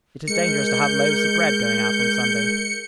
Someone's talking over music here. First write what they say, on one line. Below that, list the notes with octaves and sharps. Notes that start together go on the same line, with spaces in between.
It is dangerous to have loaves of bread going out on Sunday.
G#3 A#4 G6 C#7